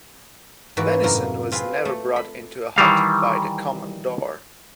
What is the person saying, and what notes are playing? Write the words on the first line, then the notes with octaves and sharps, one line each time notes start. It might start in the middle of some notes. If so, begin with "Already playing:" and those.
Venison was never brought into a hut by the common door.
G#2 E3 A#3 F#4 B4 D5
F#2 A2 C3 A#3 A#5
C4 F4 G#4 B4
A3
B5
D#3 E3 G3 F5